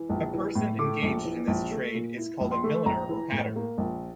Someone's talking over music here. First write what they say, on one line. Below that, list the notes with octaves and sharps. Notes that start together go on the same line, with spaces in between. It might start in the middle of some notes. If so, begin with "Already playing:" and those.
A person engaged in this trade is called a milliner or hatter.
Already playing: E3
A#1
E3
A2
A3 D6
A#1
E3
A#1
A3
A#2
E4
A#1
C6
A3
A#1 A#5
E3
A2
A#3
A#1